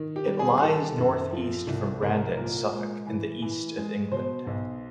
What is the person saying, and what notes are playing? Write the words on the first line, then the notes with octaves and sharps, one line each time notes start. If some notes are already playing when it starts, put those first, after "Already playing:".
It lies north east from Brandon, Suffolk in the East of England.
Already playing: D#3
G4
G3
G#4
D#3 A4
F#2
F3
C2
C2 A#4
A#2 A#4
G#3
E3
E3
G#3
B2 C5
B1